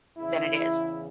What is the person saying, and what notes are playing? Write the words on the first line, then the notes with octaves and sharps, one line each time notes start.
than it is?"
E2 C#3 E3 E4